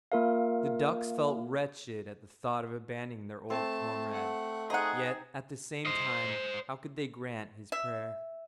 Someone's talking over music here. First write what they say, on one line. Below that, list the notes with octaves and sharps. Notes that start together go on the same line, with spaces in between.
The ducks felt wretched at the thought of abandoning their old comrade, yet, at the same time, how could they grant his prayer?
A#3 F4 A#4 E5 F5
A3 C4 C5 A5
F#5
D#4 G#4 C5 D#5 F#5
C5 D#5
E5